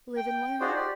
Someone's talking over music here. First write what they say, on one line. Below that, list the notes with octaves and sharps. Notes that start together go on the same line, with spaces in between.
Live and learn.
G5
D#4 F4 F#4 G#4 C5 D5
G4 D5